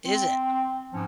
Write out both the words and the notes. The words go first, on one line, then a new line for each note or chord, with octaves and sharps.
Is it?
C4
G#2 F3 C#4